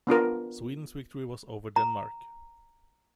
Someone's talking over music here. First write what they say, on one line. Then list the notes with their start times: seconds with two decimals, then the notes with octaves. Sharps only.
Sweden's victory was over Denmark.
0.07 B3 D4 F4 A#4
1.76 A#5